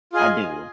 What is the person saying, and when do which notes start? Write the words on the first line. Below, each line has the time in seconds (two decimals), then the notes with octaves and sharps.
I do.
0.13 F4 G#4 D#5 G#5